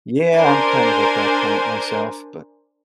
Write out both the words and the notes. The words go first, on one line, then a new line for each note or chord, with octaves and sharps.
Yeah, I'm kind of at that point myself, but
D4 A#4 C5 G#5